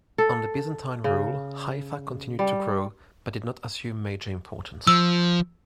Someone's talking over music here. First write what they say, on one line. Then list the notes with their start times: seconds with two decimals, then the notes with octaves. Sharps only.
Under Byzantine rule, Haifa continued to grow but did not assume major importance.
0.18 A4
1.04 C#3
2.39 G3
4.87 F3 E6